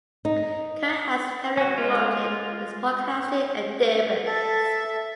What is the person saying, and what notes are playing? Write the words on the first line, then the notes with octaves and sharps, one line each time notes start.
Curry has heavily promoted his podcasting endeavors.
D#4
C#4 F#4
G#3 F4
A4 E5 A6